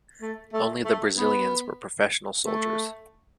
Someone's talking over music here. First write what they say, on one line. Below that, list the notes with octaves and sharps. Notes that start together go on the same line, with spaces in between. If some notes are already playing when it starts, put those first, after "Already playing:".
Only the Brazilians were professional soldiers.
A3
A3
A3
B3
A3